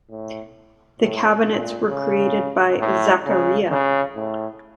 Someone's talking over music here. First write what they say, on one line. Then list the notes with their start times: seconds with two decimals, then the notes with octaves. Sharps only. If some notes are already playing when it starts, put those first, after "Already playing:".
The cabinets were created by Zaccaria.
0.10 A2
1.00 A2
1.45 A#2
1.90 C#3
2.80 A2
3.25 C#3
3.71 C#3
4.15 A2